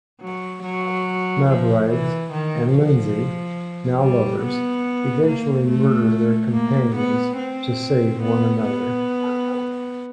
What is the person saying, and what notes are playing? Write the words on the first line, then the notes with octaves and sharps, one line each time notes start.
Mavrides and Lindsay, now lovers, eventually murder their companions to save one another.
F#3
F#3
F3
E3
D#3
F3
G3
B3
A#3
A3
A#3
B3
C4
B3
B3